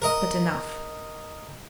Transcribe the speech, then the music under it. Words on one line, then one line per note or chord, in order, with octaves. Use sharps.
But enough.
A#4 D#5